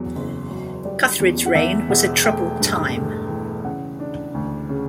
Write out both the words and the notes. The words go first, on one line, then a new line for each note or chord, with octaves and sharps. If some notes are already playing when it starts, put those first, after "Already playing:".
Cuthred's reign was a troubled time.
Already playing: E2 F#3
F#1
F#3
G3 D5
E2
F#5
E2 E5
E1 F#5
A3 G5
G2
A3
E3
C#3 F#5
D4
D2
C#3